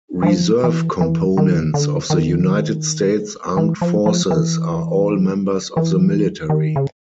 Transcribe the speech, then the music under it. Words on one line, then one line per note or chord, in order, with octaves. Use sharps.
Reserve components of the United States Armed Forces are all members of the military.
E3
F3
E3
E3
D#3
D3
D#3
E3
F3
F3
E3
E3
D#3
C#3